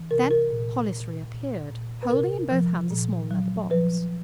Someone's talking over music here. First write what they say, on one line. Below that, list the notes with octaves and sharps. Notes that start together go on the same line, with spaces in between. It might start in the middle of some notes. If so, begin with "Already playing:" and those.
Then Hollis reappeared, holding in both hands a small leather box.
Already playing: E3
C3 A#4
A#4
A#2
A#2
A#2
A#2
B4
C3 A#4
F3
A#2
F#3
F3 B4